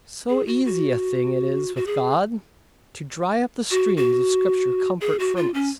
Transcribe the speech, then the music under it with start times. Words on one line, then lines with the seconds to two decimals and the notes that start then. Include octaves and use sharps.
So easy a thing it is with God to dry up the streams of Scripture comfort from us.
0.29 G#4
0.47 F#4
0.65 F#4
1.76 F#4
1.86 G#4
3.71 F#4
3.97 F#4
5.01 G#4
5.19 F#4
5.37 F4
5.54 C#4